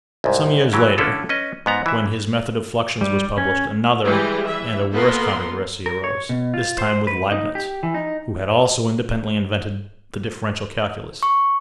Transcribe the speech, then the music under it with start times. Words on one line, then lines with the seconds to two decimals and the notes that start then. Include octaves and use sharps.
Some years later, when his method of fluxions was published, another and a worse controversy arose--this time with Leibnitz, who had also independently invented the differential calculus.
0.24 C2 G#2
0.73 E3 F#3 G4
0.98 D3 C#4 E4 F4 A4
1.29 C#4 B4 D#5
1.66 G#2 B3 A#5
1.86 E3 E5
3.01 G3
3.38 C#4
4.04 E3 G3 G#3 G4
4.46 E3 E5
4.92 A#3 B3 A4 A#4 C6
5.86 A#4
6.04 C#5
6.29 B2
6.54 F4
6.78 C5
7.07 B4
7.32 D#4
7.55 G4
7.83 E3
7.94 D#4
11.23 C#6